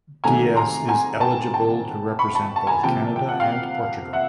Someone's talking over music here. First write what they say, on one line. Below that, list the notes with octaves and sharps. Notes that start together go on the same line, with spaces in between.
Dias is eligible to represent both Canada and Portugal.
C3 D#3 F#3 A3 G#5 A#5
A#5 C6
G#5 A#5
G5 A5
G5 A5
B5 C#6
A5 B5
A5
G#5 A#5
C3 F3 A#3 G5 A5
G5
F#5
F5 G5
E5 F#5